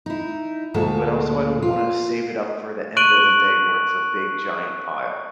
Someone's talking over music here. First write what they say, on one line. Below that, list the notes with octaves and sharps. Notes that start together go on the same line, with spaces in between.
but, also, I don't wanna save it up for the end of the day where it's a big, giant pile.
D#4 E4
D2 A#2 G#3 A4
F4
C#6 F#6 D7 D#7 F#7